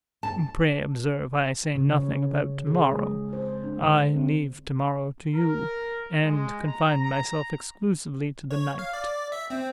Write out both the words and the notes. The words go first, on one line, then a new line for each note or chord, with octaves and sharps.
Pray observe, I say nothing about to-morrow--I leave to-morrow to you, and confine myself exclusively to the night.
A5
C#3
C#5
G#4
G#3
C5
D4
D3
C4
A#4
G#3
A#5
A#5
C#5
F5
D5
E5
C4